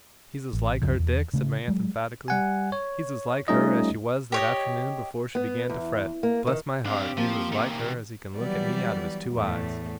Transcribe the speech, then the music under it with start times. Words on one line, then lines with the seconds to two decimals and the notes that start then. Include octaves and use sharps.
'He's as like her, Dick,' said my aunt, emphatically, 'he's as like her, as she was that afternoon before she began to fret--bless my heart, he's as like her, as he can look at me out of his two eyes!'
0.53 A1
0.82 C2 F#2 C#3 F3
0.99 E2
1.33 C#3 A3
1.68 F#3 G#3
2.28 G3 F#5 G#5
2.72 C#5
3.48 G3 A3 C#4 D#4 F4 D#5
4.32 G4 C#5 D#5
5.35 B3
5.70 E2
6.23 A#3
6.47 D#3
6.86 C4 D4 G4 F5
7.17 F3 A#3
7.52 C3 D#3
8.35 E3 F#3 G3 B3 D5
9.32 E2 A2 A3